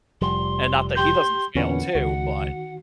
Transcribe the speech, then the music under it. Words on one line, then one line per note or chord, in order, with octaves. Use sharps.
and not that he doesn't fail too, but
F1 F3 G3 C6
G4 G5 C6 G6
E2 A#2 D3 C#4 B4 F#5
C#2 D#3 F#4